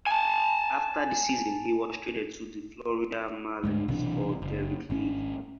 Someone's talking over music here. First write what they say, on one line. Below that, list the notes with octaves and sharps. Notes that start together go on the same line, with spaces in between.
After the season, he was traded to the Florida Marlins for Derrek Lee.
G#5 A5
D2 G#2 G#3
B1 C3 E3 D4
F#1
G#1 C#4